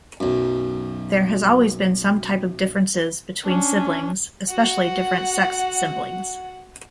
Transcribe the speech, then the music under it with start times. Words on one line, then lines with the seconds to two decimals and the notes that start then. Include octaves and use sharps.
There has always been some type of differences between siblings, especially different sex siblings.
0.20 B1 F#2
3.44 C#4 D4
4.49 F#4 F#5